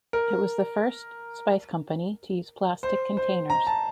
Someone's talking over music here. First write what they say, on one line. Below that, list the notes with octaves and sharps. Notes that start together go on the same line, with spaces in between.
It was the first spice company to use plastic containers.
A#4
C5
C5
A#5
A5